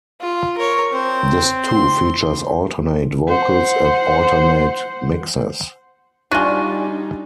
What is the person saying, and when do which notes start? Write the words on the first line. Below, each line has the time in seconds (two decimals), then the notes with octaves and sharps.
Disc two features alternate vocals and alternate mixes.
0.20 F4
0.58 A#4 C#5
0.93 C4 C5
1.65 C6
3.28 C5 F#5
6.31 G3 D4 D#4 F4 F#4 G#5 D#7